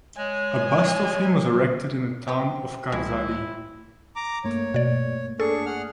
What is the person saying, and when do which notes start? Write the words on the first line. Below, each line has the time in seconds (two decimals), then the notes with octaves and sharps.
A bust of him was erected in the town of Kardzhali.
0.17 G#3 C#5 G#5
2.28 B3 C4 G4
2.92 C#2 E3 G3 G#3 E4
4.16 A#5 D6
4.44 G2 A3 A#3 C#5
4.74 B2 D5
5.40 D4 G#4 A4 C#6
5.66 G#4 F#5 F6